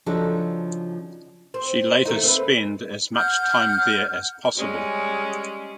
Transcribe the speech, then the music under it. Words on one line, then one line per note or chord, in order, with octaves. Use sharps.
She later spend as much time there as possible.
C#3 F3 D4 D#4 F#4 A4
C4
D#3 A3 D#4
C4 A#4 B4
F#5 F6 G6
G3 G#3 C#4